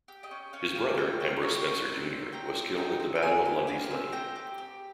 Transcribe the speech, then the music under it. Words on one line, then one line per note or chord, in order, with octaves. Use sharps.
His brother, Ambrose Spencer, Junior was killed at the Battle of Lundy's Lane.
G4
D#5 G5
C#4
C#4 C#5 F5
G4 F5 G#5
G4 G5 A#5
C#4 G5 A#5
G4 C#5 F5
C4
D#4
C4
G4 G5 A#5
C4
D#4 G5 A#5
C4
G5
C4 F5 G#5
G4
G4 F5 G#5
C4
C4 G5 A#5
G4
G4